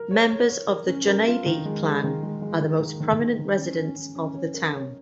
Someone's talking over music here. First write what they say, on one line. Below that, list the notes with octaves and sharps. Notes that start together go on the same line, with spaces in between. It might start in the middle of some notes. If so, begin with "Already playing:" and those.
Members of the Joneidi clan are the most prominent residents of the town.
Already playing: A#4
C#5
C#5
C#5
A#4
C#4
A#4
F4
D#3
G#3
G#3
D#3
G#3
G#3
D#3
D#3
D#3
D#3
D#3
C#4
C#4
C#4
C#4
C#5
A#4
C#5